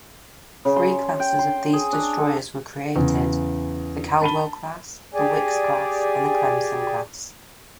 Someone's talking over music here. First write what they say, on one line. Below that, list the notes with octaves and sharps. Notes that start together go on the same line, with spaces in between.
Three classes of these Destroyers were created, the Caldwell-Class, the Wickes-Class, and the Clemson-Class.
C#3
C6
G5
C6
G#4
D4
A4
E2 C#3
A5 B5 D#7 G7
G4 G#4 D5 G#5